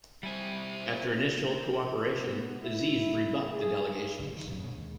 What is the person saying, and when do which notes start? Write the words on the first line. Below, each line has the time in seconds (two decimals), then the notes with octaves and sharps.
After initial cooperation, Aziz rebuffed the delegations.
0.23 G3 C4 E4 G#5
1.52 C5
1.83 F3
2.17 B3
2.62 E4
3.52 G#4
4.19 F#1 D3
4.33 D#3 F3
4.47 A#1 F#2 C3 F#3
4.63 A#2 G#3 A#3 D4
4.78 D#2 G#3